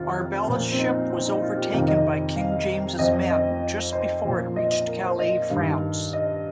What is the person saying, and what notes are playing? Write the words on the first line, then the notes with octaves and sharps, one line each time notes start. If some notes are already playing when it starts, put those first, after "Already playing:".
Arbella's ship was overtaken by King James's men just before it reached Calais, France.
Already playing: F2 C3 D#3 F4
A#2 F3
C4
D#4
C4
D#4
F4
G4
F2 C3 D#3 F5
D#5
F5
F2 F3 D#5
D#5
D#5
C5
A#2 F3
D#5
D#5
A#4
C5
D#5
G2 D#3 F5
D#5